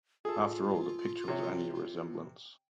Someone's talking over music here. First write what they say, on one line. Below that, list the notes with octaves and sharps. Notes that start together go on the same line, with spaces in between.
After all, the picture was only a resemblance.
F4 G#4 A4
C3 C#5